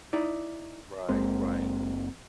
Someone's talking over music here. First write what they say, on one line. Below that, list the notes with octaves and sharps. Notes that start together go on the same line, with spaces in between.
Right, right.
D#4 E4 D5
F#1 G#3 A#3 C4